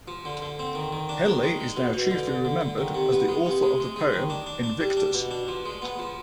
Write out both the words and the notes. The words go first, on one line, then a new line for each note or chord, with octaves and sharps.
Henley is now chiefly remembered as the author of the poem "Invictus".
F3
D3
D3
C4
D#3
D#3
D4
D#3
G#3
G#3
B2
B2
D3
D3
D3
D3
D#3
C3
B3
G#3
C3
G#3
G#3
G#3
D#3
D4
D4
D4
G3
D4
B2
D4
F3
G#3
B3
F3